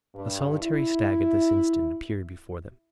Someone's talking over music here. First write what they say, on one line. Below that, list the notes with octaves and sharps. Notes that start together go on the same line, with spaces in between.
A solitary stag at this instant appeared before them.
G2
E4